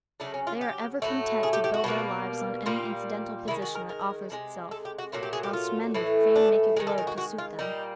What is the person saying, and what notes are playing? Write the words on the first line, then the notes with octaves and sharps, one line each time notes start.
They are ever content to build their lives on any incidental position that offers itself; whilst men would fain make a globe to suit them.
C#3 F#3 A3 D4
C#4
F4
G4
A2 F#3 A3
G#4
G4
G4
F#4
B2 G3 A#3
A#2 G3 A#3 F4
D#3 G#3 E4
F#4
A#4
A#4
C3 F3 G#3
A4
G4
F#4
A#2 F#3 A3 F4
G4
G#4
G4
F4
A2 E3 A3
D4
D#3 G#3 G#4
A4
A#4
F#4
F#4
F4
A#2 G3 A#3 D#4